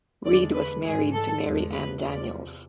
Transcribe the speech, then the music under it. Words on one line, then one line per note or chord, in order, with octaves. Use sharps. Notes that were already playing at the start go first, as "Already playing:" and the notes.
Read was married to Mary Ann Daniels.
E2 D3 G#3 D5
B4
G#2 E3 G#3 G#4
A4
E2 D3 G#3
B4
E2 C3 F3 D5